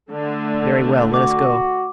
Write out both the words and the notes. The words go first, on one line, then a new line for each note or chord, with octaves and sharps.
"Very well; let us go."
D3 A3
F#4 D6